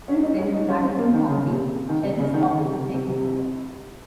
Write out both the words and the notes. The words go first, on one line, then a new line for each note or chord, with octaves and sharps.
Since then, the Madison County Sheriff's Office has taken over.
C#4
D#4
C#4
D#4
C#4
C4
A#3
D#3
C#3
A#2
C3
D#3
C3
C#3
D#3
D#3
C3
C3
C3
C3